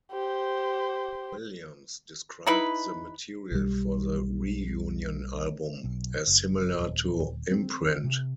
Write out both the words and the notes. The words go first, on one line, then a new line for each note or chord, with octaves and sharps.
Williams described the material for the reunion album as similar to "Imprint".
G4 C5
D#4 E4 B4
B1 G3
B1
F#1
D#1
C4
C3